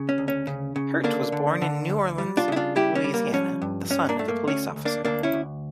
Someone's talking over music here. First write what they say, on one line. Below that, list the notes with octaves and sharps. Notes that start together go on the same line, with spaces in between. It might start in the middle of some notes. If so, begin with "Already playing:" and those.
Hirt was born in New Orleans, Louisiana, the son of a police officer.
Already playing: C#3
C#4
D2
C#4
C#3
C#3
D3 A#3 D4
D3
D3
D2
G3
D4 F4
C#3 E4
D4 F4
G3 E4 G4
C#4
G3
A#3
F3 C#4
G2
G2 C#4
A#3 D4
A3
A#3
D2 C#4
D2
A#3 D4
D2 A#3 D4
C#4 E4
D2